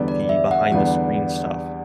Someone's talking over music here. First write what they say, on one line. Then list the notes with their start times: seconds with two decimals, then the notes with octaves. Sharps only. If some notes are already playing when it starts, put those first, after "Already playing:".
the behind the screen stuff.
Already playing: E2 D3 G3 B3
0.08 D5
0.29 E5
0.51 F#5
0.72 E2 D3 G3 B3 F#5